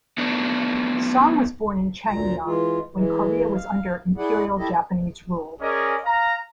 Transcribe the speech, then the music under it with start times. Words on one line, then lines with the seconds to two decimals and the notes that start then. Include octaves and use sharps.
Song was born in Changnyeong when Korea was under Imperial Japanese rule.
0.18 A3 B3 D4 D#4
2.07 D2 A#2 A#5
2.45 E3 G#3 F4
2.94 E3 G#3
3.54 F5
4.17 E4 G#4 D5 F#5
4.58 E4 G4 A4 D#5
5.62 C#4 G#4 A#4 D5 D#5
6.05 F5 A#5